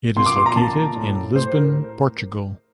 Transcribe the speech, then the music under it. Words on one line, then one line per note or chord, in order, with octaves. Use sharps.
It is located in Lisbon, Portugal.
A#2 C6
D6
C6
A#5
A#2 A5
A2
A2 C5
A#4